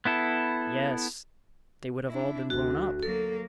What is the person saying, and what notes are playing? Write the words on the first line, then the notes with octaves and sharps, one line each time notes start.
"Yes, they would have all been blown up."
B3 E4 A4
D4 E4
D2 F#4
F#3 A#3 A4